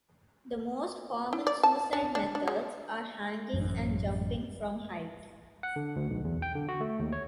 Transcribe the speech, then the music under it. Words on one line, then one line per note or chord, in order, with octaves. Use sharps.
The most common suicide methods are hanging and jumping from height.
E4
D5
A5
D4
D4
D4
G#3
A1 F#2
F#5
D3
D2
B1
E2
G5
D3
F#4
A3
D#2
C#5